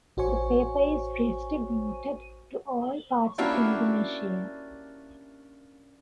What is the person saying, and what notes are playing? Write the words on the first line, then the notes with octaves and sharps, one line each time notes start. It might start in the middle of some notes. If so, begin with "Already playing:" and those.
The paper is distributed to all parts of Indonesia.
A1 F#4 C5 C#5 G#5 C#6
A#3 C#4 D4 E4 F#4 G4